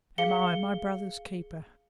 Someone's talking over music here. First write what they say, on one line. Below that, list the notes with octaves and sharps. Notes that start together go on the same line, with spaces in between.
"Am I my brother's keeper?"
G#4 F5 C#7 G7